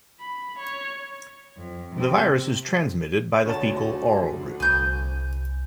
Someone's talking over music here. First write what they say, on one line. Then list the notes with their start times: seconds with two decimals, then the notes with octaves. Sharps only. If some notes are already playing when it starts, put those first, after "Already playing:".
The virus is transmitted by the faecal-oral route.
0.20 B5
0.59 C#5
1.57 F2
1.95 C3
3.45 D2 C#5 A5
4.60 C2 G#5 G6